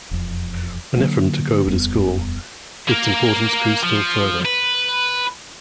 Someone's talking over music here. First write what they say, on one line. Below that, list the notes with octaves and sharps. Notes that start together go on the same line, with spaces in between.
When Ephrem took over the school, its importance grew still further.
E1 F2
D3 F#3 A#3
D#1 F2 G3 B3
A#3 A#4
F3
B4